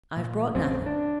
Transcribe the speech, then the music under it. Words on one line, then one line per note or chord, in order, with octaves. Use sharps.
'I've brought nothing.
A#2
A1 F2 C4 C#4
D4